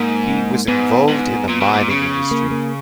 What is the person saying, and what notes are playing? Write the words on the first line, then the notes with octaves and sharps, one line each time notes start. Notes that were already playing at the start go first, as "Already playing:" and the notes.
He was involved in the mining industry.
Already playing: G#2 A#3
G#2 B3
G#2
A#2
B2
A#2
C#3
A#3
A#3